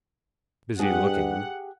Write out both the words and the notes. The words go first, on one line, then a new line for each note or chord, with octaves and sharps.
Busy looking.
G2 G4 G#4 F#5